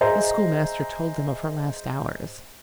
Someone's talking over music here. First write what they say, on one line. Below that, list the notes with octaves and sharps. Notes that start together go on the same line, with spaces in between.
The schoolmaster told them of her last hours.
G#4 C5 D#5 E5 A#5